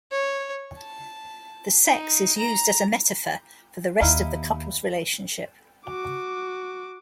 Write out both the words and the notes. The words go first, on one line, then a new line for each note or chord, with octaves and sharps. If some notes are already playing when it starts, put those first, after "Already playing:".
The sex is used as a metaphor for the rest of the couple's relationship.
C#5
A5
D#4
A#5
D#2 D#4 E4 F5
F#4 D6